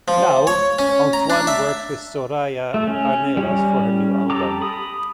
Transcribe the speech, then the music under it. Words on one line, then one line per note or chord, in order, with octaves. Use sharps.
Now, Antoine works with Soraya Arnelas for her new album.
F3
C#5
C#4
A#5
D4
E5
A3
C#4
G3 C#4
G4 A4 A#5 D6
B5 D#6